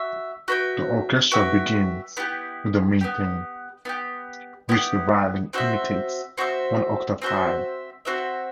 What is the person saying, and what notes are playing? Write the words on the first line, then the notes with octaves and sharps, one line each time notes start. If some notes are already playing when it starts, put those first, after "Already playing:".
The orchestra begins with the main theme, which the violin imitates one octave higher.
Already playing: F#4 E5
F#4 B4 E5 G5
F#4 B4 E5 G5
B3 E4 G4
B3 E4 G4
B3 E4 G4
B3 E4 G4
C4 F#4 C5 E5
C4 F#4 C5 E5
C4 F#4 C5 E5
C4 F#4 C5 E5